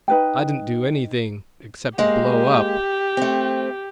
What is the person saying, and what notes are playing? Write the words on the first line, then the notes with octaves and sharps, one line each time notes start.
"I didn't do anything--except blow up."
D#4 B4 G5
G#3 A#3 G4
A3 C4